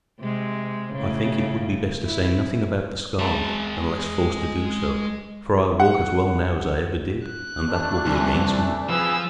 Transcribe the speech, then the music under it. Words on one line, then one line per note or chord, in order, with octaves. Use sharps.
"I think it would be best to say nothing about the scars, unless forced to do so, for I walk as well now as I ever did, and that will be against me."
C3 G#3
A2 C#3
E4
G#3 A5
F#5
F#6
E3 A3 D4
C2
F3 C4 G#4 B4 E6